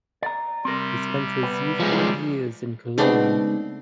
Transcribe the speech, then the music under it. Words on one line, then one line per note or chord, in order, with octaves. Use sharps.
He spent his youthful years in Cologne.
D5 A#5
C3 G3 C4 A#4
B3
F3 G#3
C#3 G#3 A3 B3 C4 D4 D#4